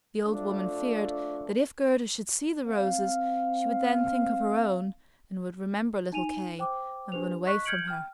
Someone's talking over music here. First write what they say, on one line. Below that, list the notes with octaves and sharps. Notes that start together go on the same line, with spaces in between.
The old woman feared that if Gerda should see the roses, she would then think of her own, would remember little Kay, and run away from her.
F3 A3 D4 D5
C4 F5
D#4 G#5 D#7 F7
C5 G5 D6
D4 G4 B4 C5 F7
D#5 C#6 F#6 B6
F6 G6 G#6 C#7 D7 F#7
G5 F6